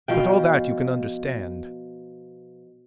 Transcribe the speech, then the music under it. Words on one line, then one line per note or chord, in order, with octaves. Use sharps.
But all that you can understand.
B2 F3 G5